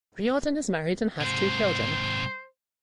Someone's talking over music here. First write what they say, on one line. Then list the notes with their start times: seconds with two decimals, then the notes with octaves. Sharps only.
Riordan is married and has two children.
1.21 G#2 C3 C5